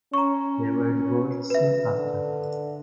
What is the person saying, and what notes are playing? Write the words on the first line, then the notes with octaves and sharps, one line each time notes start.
They were divorced soon after.
C#4 A#5 C#6
B4 E5
D3